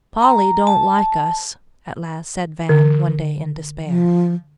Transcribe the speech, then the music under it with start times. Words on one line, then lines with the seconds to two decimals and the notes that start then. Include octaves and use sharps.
"Polly don't like us," at last said Van one day in despair.
0.22 A#5
0.67 A5
2.69 D3
3.86 F3